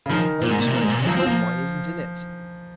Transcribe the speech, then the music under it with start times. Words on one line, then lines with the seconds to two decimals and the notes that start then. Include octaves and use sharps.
Holy smoke, a gold mine isn't in it!
0.06 C#3
0.10 D#3 F3
0.41 A#2
0.50 G#2
0.58 A#2
0.67 C3
0.74 A#2
0.82 G#2
0.90 A#2
0.98 C3
1.06 F3 F#3
1.17 C4
1.22 F3 A#3